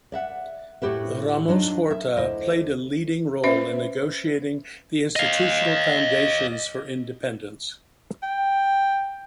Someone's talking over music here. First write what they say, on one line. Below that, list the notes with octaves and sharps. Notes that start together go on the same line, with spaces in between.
Ramos-Horta played a leading role in negotiating the institutional foundations for independence.
D5 E5 F#5
A2 F#4 G4 B4 E5
F#3 D4 D#4 F4
E5
D2 E4 C5 D#5
C#4 B4 C5 E5
D#5 F5
G5